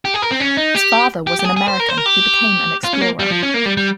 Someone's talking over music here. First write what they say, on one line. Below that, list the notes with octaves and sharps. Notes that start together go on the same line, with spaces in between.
His father was an American who became an explorer.
G4
G#4
A#4
C4
C#4
D#4
G4
G4
G4
G#4
G#4
C5
A#4
C5
A#4
G4
F4
C#4
A#3
G3
F3
C#4
A#3
G3
G3